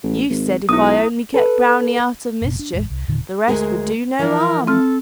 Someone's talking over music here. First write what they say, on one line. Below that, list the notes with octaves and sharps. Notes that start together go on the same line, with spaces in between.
You said if I only kept Browney out of mischief, the rest would do no harm.
A1
G#1
B1 E4 D#6
A4 B4
F#1 B2
D4
E1 A1 G#3
C2
E1 A#2 D3 D#3
D2 G#3 G#4 A#4
E3 F3 E4 A#4
C4 A4 F6